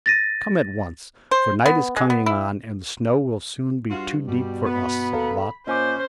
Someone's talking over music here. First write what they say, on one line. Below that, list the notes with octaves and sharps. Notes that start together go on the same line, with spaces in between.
Come at once, for night is coming on, and the snow will soon be too deep for us,' said Blot.
A6 A#6 D#7
C5
B3
G#3
B3
E4
G2 F4 F#4
G2 B2 G3
B3 B5
A4 F5 A#5
A#2 C#4 C5 D#5 G#5 D6